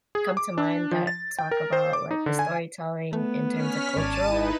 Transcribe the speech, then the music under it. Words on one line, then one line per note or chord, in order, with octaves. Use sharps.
come to mind that talk about, like, the storytelling in terms of cultural
G#4
D6
D4
F3
A6
G5
A#4
C5
D6
D#4
D3
G#5
A3 B3
C#4 F6 B6
G#1 C#5 D5 A5 D#7
D#4 E4 B4